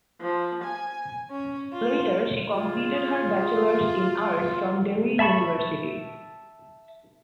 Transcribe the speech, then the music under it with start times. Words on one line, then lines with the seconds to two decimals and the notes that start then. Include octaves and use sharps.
Later she completed her Bachelors in Arts from Delhi University.
0.21 F3
0.64 G#5
1.30 C#4
1.71 F4
2.52 F4 G#4
5.19 E5 A5 B5 C#6